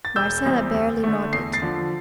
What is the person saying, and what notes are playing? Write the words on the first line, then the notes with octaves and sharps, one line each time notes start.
Marcella barely nodded.
A6
E1 E6 G6
E2 C3 G3 C4
D2
D3 A3
E2 C7
A6 C7
D3 F3